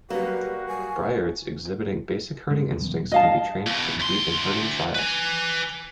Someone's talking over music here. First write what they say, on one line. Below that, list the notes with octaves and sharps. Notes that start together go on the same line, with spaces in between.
Briards exhibiting basic herding instincts can be trained to compete in herding trials.
F#3 G3 A#3 F#4 B4
G#5
G1 C#3 G#3
D#1 B1 E2
G2 D#5 F5 A5
E2 B2
D2 C6
B4 G#5